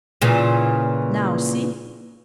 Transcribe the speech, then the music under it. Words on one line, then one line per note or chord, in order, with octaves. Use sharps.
Now, see!
A#2 C#3 E3